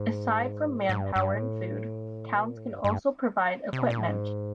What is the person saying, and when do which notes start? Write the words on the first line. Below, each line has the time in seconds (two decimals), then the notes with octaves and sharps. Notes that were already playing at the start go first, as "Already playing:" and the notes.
Aside from manpower and food, towns can also provide equipment.
Already playing: G#2
0.79 A2
0.89 G#2
0.97 G2
1.16 G2
1.34 A2
2.37 B2
2.44 A#2
2.57 A2
2.71 G2
2.84 G2
3.73 C3
3.82 B2
3.90 A#2
3.98 A2
4.08 G#2